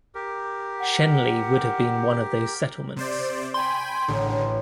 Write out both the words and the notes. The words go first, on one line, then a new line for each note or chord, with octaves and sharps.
Shenley would have been one of these settlements.
G4 A#4
F#5
C3 C5 D5
G5 G#5 B5 C6
A1 D3